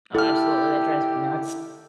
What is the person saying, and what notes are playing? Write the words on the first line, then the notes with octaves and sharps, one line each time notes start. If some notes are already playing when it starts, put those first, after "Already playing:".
Oh, absolutely. That drives me nuts.
E4 G4 A4 F6